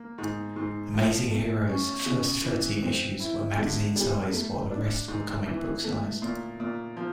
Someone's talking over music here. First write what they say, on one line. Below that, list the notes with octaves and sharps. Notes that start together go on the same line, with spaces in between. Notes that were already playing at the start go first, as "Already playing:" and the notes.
"Amazing Heroes"' first thirteen issues were magazine-sized, while the rest were comic book-sized.
Already playing: A#3
G#2
G#2
F3
A3
C#4
C#3
E3
C4
E4
D3
G3
A3
D4
G#2
E3
A3
A#2
A#2
F3